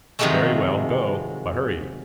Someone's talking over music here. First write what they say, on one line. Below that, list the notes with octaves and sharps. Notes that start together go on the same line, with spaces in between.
"Very well, go; but hurry."
C3 D#3 F3 F#3 G#3 A3